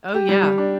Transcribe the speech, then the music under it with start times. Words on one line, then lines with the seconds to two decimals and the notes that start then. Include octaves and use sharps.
Oh, yeah.
0.14 G4
0.29 G3
0.43 G3
0.58 D4